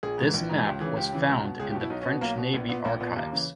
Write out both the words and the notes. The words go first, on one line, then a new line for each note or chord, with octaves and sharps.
This map was found in the French Navy archives.
A#1 G#4
G#2 E3
A#1
G#2 E3
C#2 G4
C#3 E3 G#4
C#2 G4
C#3 E3
C#2
B2
C#2 G#4
G4
B2
E4
B1 D#4
C#4
B2
B3
B1 A#3
B2
A#1 B3
A#2 B3
A#1 A#3
A#2 B3
D#2 A#3
C#3 E3